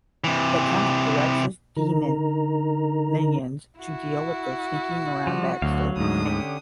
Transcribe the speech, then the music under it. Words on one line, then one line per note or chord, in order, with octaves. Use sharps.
The Count directs his demon minions to deal with those sneaking around backstage.
C3 E3
D3 D#4 A#4 A#5
E4 F#4
F3 G3
D2 F#3 F5
D2 G#2 D4 D#6
D3 C#4 G4